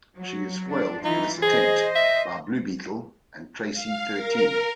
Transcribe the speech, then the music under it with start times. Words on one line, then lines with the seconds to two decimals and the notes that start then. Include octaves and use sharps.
She is foiled in this attempt by Blue Beetle and Traci Thirteen.
0.20 F#3
0.70 D4
1.04 E3 D#4 F4
1.42 G#4 C5 D#5
1.96 E5
3.72 F5
4.11 A#4